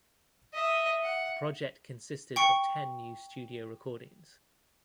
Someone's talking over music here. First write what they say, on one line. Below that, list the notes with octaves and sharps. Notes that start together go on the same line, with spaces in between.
The project consisted of ten new studio recordings.
D#5 E5
F#5
G5 C#6 C#7